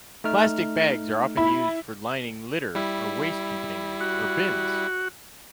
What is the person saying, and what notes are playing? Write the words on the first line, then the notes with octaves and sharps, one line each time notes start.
Plastic bags are often used for lining litter or waste containers or bins.
A3 D#4 F6
E4 B5
G3 E4
F#4